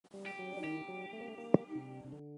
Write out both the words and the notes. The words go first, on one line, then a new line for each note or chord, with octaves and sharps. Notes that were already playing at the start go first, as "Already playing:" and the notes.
Pant mostly wrote in Sanskritized Hindi.
G3
G4
F#3
F#3
D#3 G4
F#3
A3
A#3
A3
A#3
C3
C3
D3